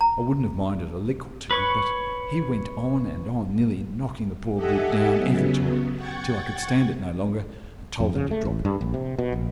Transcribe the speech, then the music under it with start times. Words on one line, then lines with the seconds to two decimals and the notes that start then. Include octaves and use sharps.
I wouldn't have minded a lick or two, but he went on and on, nearly knocking the poor brute down every time, till I could stand it no longer, and told him to drop it.
0.01 A#5
1.51 B4 C#5 C#6
4.54 G4 A4 D#5 E5 F#5 G#5
5.17 C#3 F#3 B3
5.95 F#5 G5 C#6 G#6 A6
8.00 F2
8.15 C#3
8.31 A3
8.45 A1
8.65 G2
8.81 A#1
8.94 C3
9.19 B2
9.33 A#1